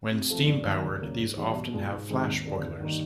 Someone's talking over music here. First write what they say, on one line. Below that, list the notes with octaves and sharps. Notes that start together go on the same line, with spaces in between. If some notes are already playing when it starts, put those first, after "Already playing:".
When steam-powered, these often have flash boilers.
C3
F3 A3 C4
G2
D#3 F#3 B3 D4
C#2
C#3 F#3 A#3
G#2
E3 G3 B3 D4
B2
G#3 B3 D4 F4
G#2
D#3 G#3 C4 D#4
D#2
D3 G3 A#3
G2
D#3 G3 A#3 D#4